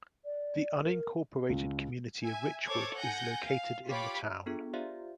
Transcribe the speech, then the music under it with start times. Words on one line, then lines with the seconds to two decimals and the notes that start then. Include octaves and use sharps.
The unincorporated community of Richwood is located in the town.
0.25 D5
0.83 A#4
1.49 C#2
2.24 E5 G#5
2.66 A4 C5 C#5 D6 G#6
2.97 F#5 G#5 G6 A#6
3.46 F5
3.87 F4 G4 C#5 B5 D6 B6
4.46 B3 D4 F4 G#4 A4
4.74 F4 G4 C5 D5 E5 F5